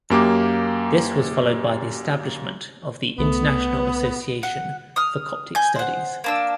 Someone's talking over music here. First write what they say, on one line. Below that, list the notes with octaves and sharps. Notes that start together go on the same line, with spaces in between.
This was followed by the establishment of the "International Association for Coptic Studies".
F#2 A#3 G4 D6
C2 A3 B3
F#5
D#6 F6
G#5 G6
C5 F#5
A#3 D4 E6